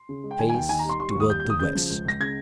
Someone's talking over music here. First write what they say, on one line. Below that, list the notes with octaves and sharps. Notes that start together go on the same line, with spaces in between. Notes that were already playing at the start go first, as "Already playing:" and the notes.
Face toward the West!
Already playing: C6
C#3
G#3
G5
D#3 G#5
G#5
D#2 G5
D#3 G#5
A#5
G3 C6
G3 C6
C#6
D#2
D#6
G3 G6
G6
D#2 D#6
C#3 G6
F3
C#2
C#2 A#6
C#3 G#6